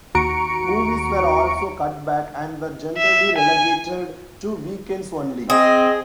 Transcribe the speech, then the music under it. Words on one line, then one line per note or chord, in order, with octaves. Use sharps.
Movies were also cut back, and were generally relegated to weekends only.
D#2 F#4 A#5 C#6 C#7 D7
E5
G#5
C4 G#4 D#5